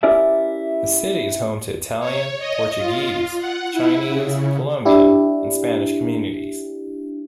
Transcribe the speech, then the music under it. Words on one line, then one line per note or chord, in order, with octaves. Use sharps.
The city is home to Italian, Portuguese, Chinese, Colombian and Spanish communities.
C#4 E4 G4 A#4 D5 E5
C#5
D#5
F4
F#5
E4
C#3
D4 E4 G4